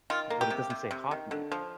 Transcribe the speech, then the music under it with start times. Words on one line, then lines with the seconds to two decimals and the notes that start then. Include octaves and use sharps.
But it doesn't say, "hot meat."
0.10 D#3 F4
0.30 A#3
0.41 G4
0.50 C3
0.70 C3
0.91 C3
1.11 D#3
1.31 D3
1.52 F3